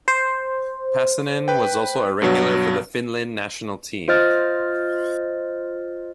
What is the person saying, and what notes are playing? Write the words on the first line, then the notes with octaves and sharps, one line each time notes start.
Pasanen was also a regular for the Finland national team.
C5
B4 G5
G2 B2 F#3
F4 C5 D#5 F6 A6